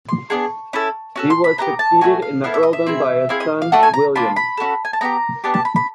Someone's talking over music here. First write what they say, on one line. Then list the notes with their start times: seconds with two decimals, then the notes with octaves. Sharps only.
He was succeeded in the earldom by his son, William.
0.09 C6
0.30 B3 D4 F4 G#4 C#6
0.73 C#4 E4 A4
1.16 C#4 F#4 A4
1.30 C6
1.44 B5
1.58 B3 D#4 G4 A#5
1.79 A5
2.01 A3 C#4 F#4 G#5
2.22 F5
2.44 B3 E4 A4 F5
2.54 E5
2.63 D#5
2.73 E5
2.87 C4 E4 G#4
3.29 C4 E4 G#4 F5
3.40 D#5
3.62 F5
3.72 A3 D4 F#4 A4 F#5
3.83 G#5
3.94 A#5
4.15 A#3 D4 F4 B5
4.36 B5
4.57 C#4 F#4 A4
4.85 G#5
4.93 A5
5.01 B3 D#4 G4 A#5
5.44 B3 D4 G4 A5
5.54 A5
5.65 B5
5.76 B5